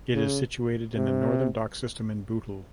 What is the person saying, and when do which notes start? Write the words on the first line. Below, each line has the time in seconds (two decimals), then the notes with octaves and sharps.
It is situated in the northern dock system in Bootle.
0.15 C#3
0.97 C3